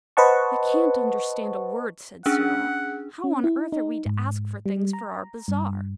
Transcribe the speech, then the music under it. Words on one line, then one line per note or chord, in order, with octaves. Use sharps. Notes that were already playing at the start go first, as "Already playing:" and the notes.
'I can't understand a word,' said Cyril. 'How on earth are we to ask for things for our bazaar?'
B4 C5 D#5 F#5 A5 C#6
C#4 D4 G#4 F#5
C#4
E4
D#4
G#2
G3
A#5
G2